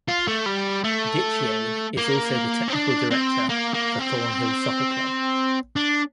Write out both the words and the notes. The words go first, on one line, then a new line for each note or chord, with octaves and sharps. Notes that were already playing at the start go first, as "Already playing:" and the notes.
Dichio is also the Technical Director for Thornhill Soccer Club.
F4
A3
G3
A3
A#3
C4
D4
C4
A#3
A#3
C4
D4